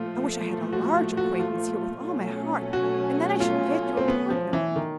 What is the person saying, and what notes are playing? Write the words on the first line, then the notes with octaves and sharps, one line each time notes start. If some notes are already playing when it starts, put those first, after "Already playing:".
I wish I had a large acquaintance here with all my heart, and then I should get you a partner.
Already playing: A#2 F3 A3 F4
F#4
F#4
F#4
F4
B2 F#3 A3 C#4
F#4
F4
C4
B3
F3
E3
D#3